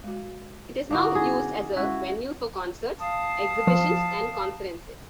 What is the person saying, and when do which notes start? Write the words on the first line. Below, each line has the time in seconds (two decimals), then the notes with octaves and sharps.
It is now used as a venue for concerts, exhibitions and conferences.
0.04 G#3 F#4
0.91 D3 A#3 D#4 E4 F#4 A5
1.15 C#4 D#4 E4 G#4
1.76 G#3 C#4 E4 F#4
2.99 F5 A5 D#6
3.67 F3